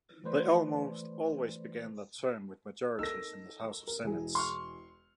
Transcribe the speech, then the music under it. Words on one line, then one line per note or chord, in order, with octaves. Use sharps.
They almost always began their term with majorities in the House and Senate.
E3 A3 B4 C5 D5
D#4 A4 A#4 E6 A#6
A#4
E1 E4 G#4
C6 C#6 F6